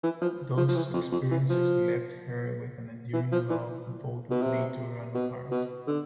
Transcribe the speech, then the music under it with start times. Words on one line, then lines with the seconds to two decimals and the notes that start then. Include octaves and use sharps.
Those experiences left her with an enduring love both of nature and of art.
0.03 E3
0.22 F3
0.57 F3
0.69 F3
0.76 E3
0.94 F2
1.12 F2
1.31 E3
1.49 F3
3.13 E3
3.32 F3
3.50 E3
4.30 B2
4.42 C3
5.15 B2
5.51 B2
5.88 D3